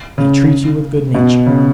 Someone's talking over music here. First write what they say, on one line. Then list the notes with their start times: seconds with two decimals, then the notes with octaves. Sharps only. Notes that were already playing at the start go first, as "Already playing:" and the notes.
They treat you with good-nature.
0.18 C#3
1.14 B2
1.46 C#3